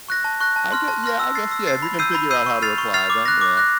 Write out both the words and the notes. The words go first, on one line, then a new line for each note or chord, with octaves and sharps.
I gu yeah, I guess, yeah, if you can figure out how to apply them, yeah.
C#6 F#6 A#6
A5
C#6 F#6 A#6
A5
C6 F6 A#6
A5
C6 F6 A#6
E6
A6 C7
E6
A6 C7
B5
E6 G6 C7 D#7
B5
E6 G6 C7 D#7
C#6
F6 A6 C7 F7
C#6
F6 A6 C7 F7
D6
F#6 A#6
D6
F#6 A#6